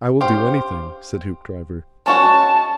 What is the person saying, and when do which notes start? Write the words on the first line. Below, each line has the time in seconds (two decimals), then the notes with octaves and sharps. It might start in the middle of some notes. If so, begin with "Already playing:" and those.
"I will do anything," said Hoopdriver.
0.21 G4 C5 F5
2.06 G#3 C#4 F#4 A5